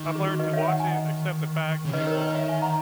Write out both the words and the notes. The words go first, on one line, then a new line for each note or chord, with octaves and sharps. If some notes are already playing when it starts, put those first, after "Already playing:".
I've learned to watch it, accept the facts, and move on.
Already playing: D#3
G#4
F#4
B4 D#5
C#5 E5
F#5
G#5
D#5 F#5
C#3
D#3 B4 D#5
A#4 C#5
B4 D#5
C#5 E5
E5 G#5
F#5 A#5